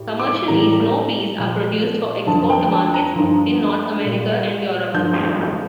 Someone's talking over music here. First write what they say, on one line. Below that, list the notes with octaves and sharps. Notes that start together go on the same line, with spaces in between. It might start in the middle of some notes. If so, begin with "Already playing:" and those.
Commercially, snow peas are produced for export to markets in North America and Europe.
Already playing: A2 G3
D6
A2 E3 G3 A#5
A#2 F3
F2 D3 F3 A5
G5
A5
A#5
G2 F3
A#2 G3
G2 F3 G6